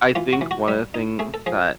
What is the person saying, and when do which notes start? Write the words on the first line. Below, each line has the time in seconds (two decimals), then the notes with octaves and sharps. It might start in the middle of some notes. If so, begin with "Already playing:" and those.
I think one of the things that
0.15 E3 F4
0.33 F#4
0.41 E3
0.51 F#4
0.68 G3
0.94 D#4
1.19 A3 G#4
1.34 A4
1.46 F3 G#4